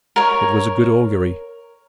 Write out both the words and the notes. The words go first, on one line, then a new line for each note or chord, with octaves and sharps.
It was a good augury.
A#4 C#5